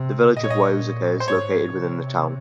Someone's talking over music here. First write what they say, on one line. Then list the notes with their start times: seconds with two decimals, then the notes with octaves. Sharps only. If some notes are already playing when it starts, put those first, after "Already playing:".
The village of Wauzeka is located within the town.
Already playing: C3
0.37 A#2 D#5
0.44 C#5
0.50 D#5
1.20 C5
1.28 G#2 C#5
1.73 C3